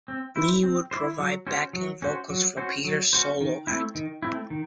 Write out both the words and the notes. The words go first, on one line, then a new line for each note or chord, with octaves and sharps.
Lee would provide backing vocals for Peters' solo act.
C4
E4 C5
C4
E4 C5
F#3
C#4 F#4 C5
F#3
C#4 F#4 C5
F#3
C#4 F#4 C5
F#3
C#4 F#4 C5
D#3
A3 C4 E4
D#3
A3 C4 E4
D#3